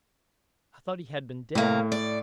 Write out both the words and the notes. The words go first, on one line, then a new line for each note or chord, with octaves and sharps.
I thought he had been dead!'
A2 C3 A3 A#3
D5